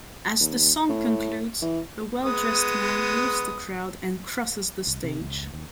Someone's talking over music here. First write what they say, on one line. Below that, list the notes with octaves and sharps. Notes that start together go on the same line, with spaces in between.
As the song concludes, a well-dressed man leaves the crowd and crosses the stage.
D#2
A2
E3
G#3 B3 D#6
C2
C3
C#2
D#2